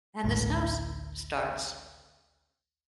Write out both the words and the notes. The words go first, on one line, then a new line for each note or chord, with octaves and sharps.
and the snow s starts,
A1 D2 A2